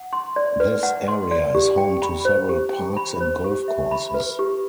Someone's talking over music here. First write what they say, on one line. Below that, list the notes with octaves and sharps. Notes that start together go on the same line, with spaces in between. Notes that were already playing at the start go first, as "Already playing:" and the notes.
This area is home to several parks and golf courses.
Already playing: F#5
C6
D5
B4
F#5
C6
D5
G4
G5
B5
C5
G4
G5
B5
C5
G4
E5
B5
B4
G4